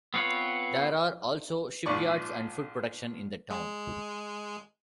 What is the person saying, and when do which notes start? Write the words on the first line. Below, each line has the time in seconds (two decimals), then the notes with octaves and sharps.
There are also shipyards and food production in the town.
0.14 B3 C4 F4 B4 C#5
1.86 A#1 G#2 D5 C#6
3.50 G#3